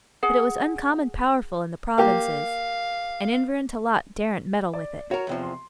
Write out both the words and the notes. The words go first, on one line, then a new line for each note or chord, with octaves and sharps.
But it was uncommon powerful in the provinces, and Enver and Talaat daren't meddle with it.
G#4 F#5
A#3 G4 F5
D5
F#4 A#4 C#5
E2 C3 F3
C6